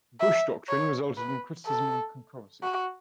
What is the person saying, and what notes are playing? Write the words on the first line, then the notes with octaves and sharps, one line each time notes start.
The Bush Doctrine resulted in criticism and controversy.
E5
C#5
B4
A4
F#4